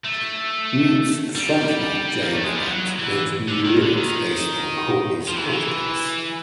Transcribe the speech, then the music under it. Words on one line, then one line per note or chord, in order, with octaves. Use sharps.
Mute's frontman Jay Burnett wrote new lyrics based on Courtney's court case.
A3
G3
A#3
A3
G#3
G3
F#3
E3
D3
D#3
D3
D#3
F3
E3
D#3
E3